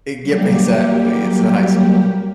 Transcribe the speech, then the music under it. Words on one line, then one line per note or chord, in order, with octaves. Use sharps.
A g exactly it's in high school.
F#3 G3 A#3 G4